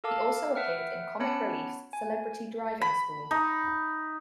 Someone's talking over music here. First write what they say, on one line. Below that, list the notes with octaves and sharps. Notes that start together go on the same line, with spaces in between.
He also appeared in Comic Relief's "Celebrity Driving School".
A4 A#4 F5 A5 D6 E6
B4 E5 F#5 G5 F6
B3 C#4 C#5 A5 B5 C#7
G#5
B5
D#4